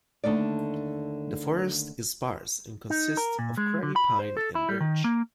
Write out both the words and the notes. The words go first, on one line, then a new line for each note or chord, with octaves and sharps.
The forest is sparse and consists of craggy pine and birch.
D#2 D3 A3 D#4 D5
D#4
A#4
A#2
G#3
D3
B5
C5
A4
E4
G3
D#3
A#3